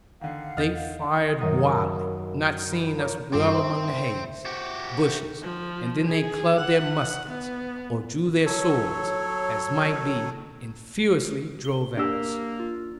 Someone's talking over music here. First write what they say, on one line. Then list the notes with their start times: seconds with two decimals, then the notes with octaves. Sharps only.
They fired wildly, not seeing us well among the hazel bushes; and then they clubbed their muskets, or drew their swords, as might be; and furiously drove at us.
0.21 D3 D#3 F5 F#5
0.57 E2 D#5 F6 G6 A6
1.40 F#2 D#3 A#4 F#5 D#6
2.72 B5
2.97 F4 A#4 C#5 C#6 D6
3.33 G2 C4 F4 D6
3.55 C5 E5
4.45 F#4 G4
5.42 F3
6.06 G#4
6.57 F#5
7.29 B3
8.45 F#3 A4 C#5
11.65 G7
11.97 A#3 D4 G4 A#4 E6
12.59 F4